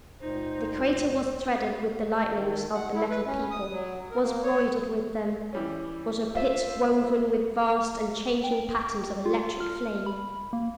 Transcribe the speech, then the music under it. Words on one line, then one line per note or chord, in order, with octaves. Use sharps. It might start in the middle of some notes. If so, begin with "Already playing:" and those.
The crater was threaded with the lightnings of the Metal People; was broidered with them; was a Pit woven with vast and changing patterns of electric flame.
C#2 A#2 D#4 C5
D#3
F#5
E4
B4
C#4
D#6
F#3
A#4
A#3
C#5
E3 G3 C#4
F4 C5 E5
G5
F4
F6
B5
A#3